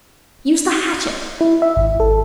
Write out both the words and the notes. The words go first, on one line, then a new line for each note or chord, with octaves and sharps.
Use the hatchet!...
E4
E5
G#1
A4